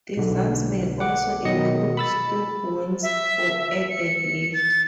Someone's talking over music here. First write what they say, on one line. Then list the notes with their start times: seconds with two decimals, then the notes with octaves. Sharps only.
Designs may also include stub wings for added lift.
0.17 B1 D3
1.00 F#5 D6
1.45 B2 D#3 F#3 D#5 C#7
1.97 B5 E6 A6
3.02 E5
3.90 C#7
4.54 A6